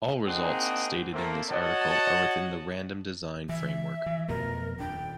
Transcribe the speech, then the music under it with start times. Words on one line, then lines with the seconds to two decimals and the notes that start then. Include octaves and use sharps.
All results stated in this article are within the random design framework.
0.27 A#3 C4 D4 D#4 G#4 F#5
1.13 A3 A#3 C4
1.49 F#4 C#5 D#5 F#5 A5
3.49 E3 E5
4.06 E3
4.28 F2 B2 A3 A#4
4.79 D#1 D4 G5